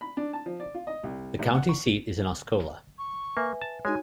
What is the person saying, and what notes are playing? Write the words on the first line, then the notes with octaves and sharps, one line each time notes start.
The county seat is Osceola.
B5
D4
A5
F3
D5
F4
D#5
C2
A1
F#5
C#6
C#6
A#3 B4 E5 G#5
A5
G#3 D#4 F#4 C#5 G#5